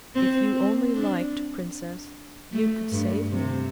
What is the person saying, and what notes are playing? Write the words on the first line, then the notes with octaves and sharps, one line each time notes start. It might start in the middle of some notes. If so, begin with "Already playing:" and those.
If you only liked, Princess, you could save me.
C4
C4
D4
A3
G2
C3